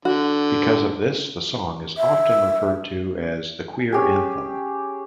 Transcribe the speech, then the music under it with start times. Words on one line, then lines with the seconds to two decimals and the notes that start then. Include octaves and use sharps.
Because of this, the song is often referred to as the Queer Anthem.
0.05 D3 F#4
1.98 E5
3.93 C#4 G4 G#4